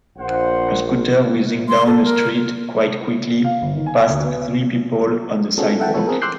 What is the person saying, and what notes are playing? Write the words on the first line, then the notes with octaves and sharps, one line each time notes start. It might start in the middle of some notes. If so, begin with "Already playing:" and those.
A scooter whizzing down a street quite quickly past three people on the sidewalk.
A#1 C5 F#5
C6
A4
A#4
F5
G1
D#3
G#5
D2
B3
C4 D4 F4 F#4 G#4 A4
A4 E5 F#5 G5 A5
E3 B3 F4 A4 C#5
C4 G#4 A#4
C6 D6 E6 F#6 G6 C7